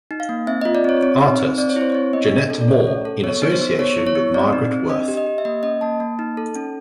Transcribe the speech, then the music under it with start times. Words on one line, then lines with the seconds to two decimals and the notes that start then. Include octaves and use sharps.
Artist: Janette Moore in association with Margaret Worth.
0.11 D#4
0.20 F5
0.29 A#3
0.47 C4 E5
0.61 F4 D#5
0.75 D5
0.84 C4 C#5
1.03 C4 C#5
1.21 D#4
1.40 C4
1.58 C4 D5
1.70 C#5
1.76 E4 C5
1.92 C4 C#5
2.13 B3 D#5
2.32 D4
2.50 A4
2.61 D5
2.68 A3 C#5
2.87 C#4
3.05 A4
3.24 B3 C#5
3.42 D#4
3.52 C5
3.61 B3
3.79 B3 C#5
3.97 E4
4.07 C#5
4.15 B3
4.34 C4 D5
4.53 D#4
4.71 C4
4.89 D4 D#5
5.08 G4
5.17 D#5
5.26 G4
5.38 E5
5.45 A#3 D#5
5.63 C#4 D#5
5.81 A#3 A5
6.00 A#3
6.19 D#4
6.37 A4
6.55 C#4